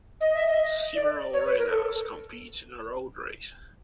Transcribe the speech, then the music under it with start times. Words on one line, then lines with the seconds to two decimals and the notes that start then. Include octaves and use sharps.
Several runners compete in a road race.
0.21 D#5
0.34 E5
0.47 D#5
0.95 D5
1.33 C#5
1.45 B4
1.58 A#4
1.70 A4